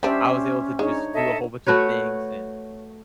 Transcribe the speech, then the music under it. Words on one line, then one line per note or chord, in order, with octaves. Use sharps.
I was able to just do a whole bunch of things, and
G3 C#4 D4 G4 C5 E5
G#3 D4 D#4 C#5
A4 D#5 E5
A3 F#4 B4 C#5